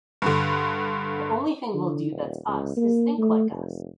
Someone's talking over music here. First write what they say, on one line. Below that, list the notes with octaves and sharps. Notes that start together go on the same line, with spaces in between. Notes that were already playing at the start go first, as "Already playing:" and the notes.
The only thing we’ll do that’s us is think like us!
G2 D3
D3
D#1
C#2
A#3
A3
F1